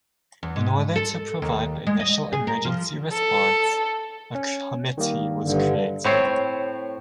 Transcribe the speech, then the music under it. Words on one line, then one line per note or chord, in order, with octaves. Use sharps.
In order to provide the initial emergency response, a committee was created.
E2
G#2
A4
D#2
G#3
D#5
G#4
A#4
F3
A4
C#4
D#3 G3 A#3
G2 D3
A2 C4 C#5